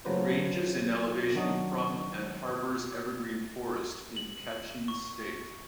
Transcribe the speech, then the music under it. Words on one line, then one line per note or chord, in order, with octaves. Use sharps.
It ranges in elevation from and harbours evergreen forest in Kachin State.
C#3 F#3 A3 B4 C5 D5
D#3 F#3 D4 F#4 D#5 A#5
F#7
C#6